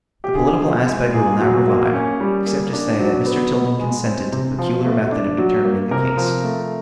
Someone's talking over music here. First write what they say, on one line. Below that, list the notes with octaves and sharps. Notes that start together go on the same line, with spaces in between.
The political aspect we will not revive, except to say that Mr. Tilden consented to the peculiar method of determining the case.
G4
D3 G#4
F3
G#3
A#2 G#4
F#3
A#3
C#4
G3
A#3
D4
F#3
B3
B2
G#3
C4
C3
F3
A3
D4
F#3
A#3
C3 A#4
F3
A3